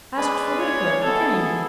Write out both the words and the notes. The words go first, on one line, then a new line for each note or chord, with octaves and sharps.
Asked for Whittaker, who came.
G#3 C#4 G#4 B4 D5
C#5
B3 E4 G#4 A4